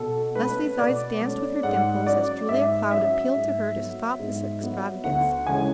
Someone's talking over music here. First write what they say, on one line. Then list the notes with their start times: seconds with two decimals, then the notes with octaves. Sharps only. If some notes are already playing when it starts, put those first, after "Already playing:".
Leslie's eyes danced with her dimples as Julia Cloud appealed to her to stop this extravagance.
Already playing: B2 A4
0.35 A3 C#4 B4
0.78 B2 D5
1.21 A3 C#4
1.63 G#2 F#5
2.06 F#3 C#4 D5
2.49 G#2 E5
2.91 F#3 C#4 E5
3.34 G#2
3.77 F#3 B3
4.19 G#2
4.61 F#3 B3
5.04 D2 F#5
5.47 C#3 E3 G#3 C#4 G#5